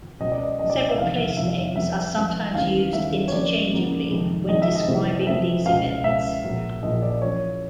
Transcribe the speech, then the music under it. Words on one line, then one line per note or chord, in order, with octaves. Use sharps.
Several place names are sometimes used interchangeably when describing these events.
C#2 B2 F#3 D#5
D5
D#5
C#2 B2 F#3 D#5
D5
D#5
E5
F1 E2 C3 D#3 F5
E5
F1 E2 C3 D#3 E5
F2 D3 G3 B3 E5
F2 D3 G3 B3
D#2 C#3 E3 G3 F5
D#2 C#3 E3 G3 E5
C#5
F2 C#3 F#3 A#3 D5
F2 C#3 F#3 A#3
F2 C3 D#3 G#3
F2 C3 D#3 G#3 D#5
E5
D#5
F2 C3 E3 A3 C4
F2 C3 E3 A3 C4 E5
C#2 B2 G#3 F5
C#2 B2 G#3 E5
A#1 A#2 F#3
A#1 A#2 F#3 D#5
D5
A1 A2 F3 C#5